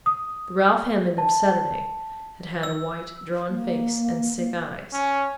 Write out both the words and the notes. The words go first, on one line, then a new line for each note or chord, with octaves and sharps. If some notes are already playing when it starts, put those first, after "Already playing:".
The Ralph Hammond of Saturday had had a white, drawn face and sick eyes.
D#6
A5
E6
A#3
C#4